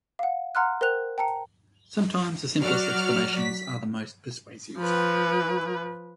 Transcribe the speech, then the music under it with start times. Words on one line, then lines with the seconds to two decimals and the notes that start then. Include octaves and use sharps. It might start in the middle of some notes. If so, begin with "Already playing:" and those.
Sometimes the simplest explanations are most persuasive.
0.19 F5 F#5
0.55 F#5 A#5 C6 F6 F#6
0.81 A#4 C5 G5 F#6 F7
1.18 G5 A5 A#5 C#7
2.62 F#3 F#4 D5 F6
3.39 B6
4.78 F3 B4